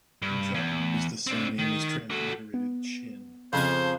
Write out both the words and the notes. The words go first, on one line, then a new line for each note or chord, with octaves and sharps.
In Japanese, the surname is transliterated Chin.
G2
E2
C4 D4
D#3
F#4 A4
B3
F2 C#3 F3 C5 F5 G#5 A5 F#6